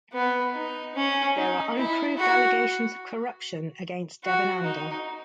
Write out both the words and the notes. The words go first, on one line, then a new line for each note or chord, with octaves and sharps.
There are unproved allegations of corruption against Devananda.
B3
D#4
C#4
D#4
E4
F#4
F#4
D#4